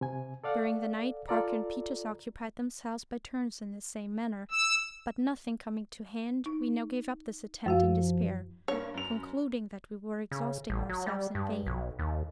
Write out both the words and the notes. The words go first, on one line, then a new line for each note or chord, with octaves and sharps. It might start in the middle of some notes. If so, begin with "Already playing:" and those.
During the night Parker and Peters occupied themselves by turns in the same manner; but nothing coming to hand, we now gave up this attempt in despair, concluding that we were exhausting ourselves in vain.
C3 G#5
A4 D5 F5 F#5
F4 A4 D5 A#5
E6
D#4
F#2 F3 F#4 F5
G2 A#3 C#5
F#2 F7
C#3
A1
F#3
G3
G2
B1
D#2